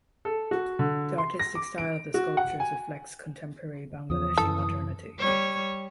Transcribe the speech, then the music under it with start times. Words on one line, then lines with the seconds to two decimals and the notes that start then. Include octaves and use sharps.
The artistic style of the sculptures reflects contemporary Bangladeshi modernity.
0.25 A4
0.51 F#4
0.79 D3
1.18 C6
1.39 A#6
1.55 D6
1.78 D7
2.14 F#4
2.37 F#5
2.60 G#5
4.10 E2 F3 D#6
4.38 F#2 D3 E3 A4
5.19 G3 C#5